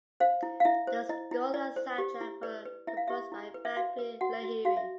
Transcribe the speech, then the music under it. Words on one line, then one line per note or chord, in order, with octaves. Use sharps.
The score and soundtrack were composed by Bappi Lahiri.
C5 F5
E4
F5
E4 E5
C5
E4 D#5
E4
E4 D5
C5
G4
E4
B4 D5
B4
E4 E5
F5
G4 E5
E4
B4
E5
F#4 F5
B4
F#4 F#5
F#4
F#4 F5
E5